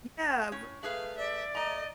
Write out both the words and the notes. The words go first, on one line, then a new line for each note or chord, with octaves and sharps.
yeah, b
A2 C#4
A3 G#4 B4 F5
D5 E5
A3 D#5 A5 A#5